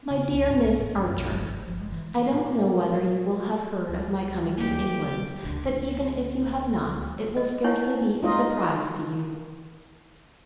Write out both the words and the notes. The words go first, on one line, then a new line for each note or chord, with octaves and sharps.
MY DEAR MISS ARCHER--I don't know whether you will have heard of my coming to England, but even if you have not it will scarcely be a surprise to you.
C#3
C#2
G#2
C2
A1
F#2
B1
G1
F3
G1
G#3
E3
A#2
D2
D#1 A#3 G4
D2 D3
D#5
D#4 E4 C#5 F#5 G#5 C#6
D#4
D#4 F4 D#5